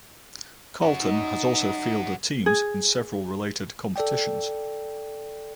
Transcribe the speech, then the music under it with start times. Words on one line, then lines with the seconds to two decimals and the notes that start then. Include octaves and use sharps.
Carlton has also fielded teams in several related competitions.
0.82 C#4 F#4
1.01 D#4
2.46 G#4
3.96 A4 D5 G5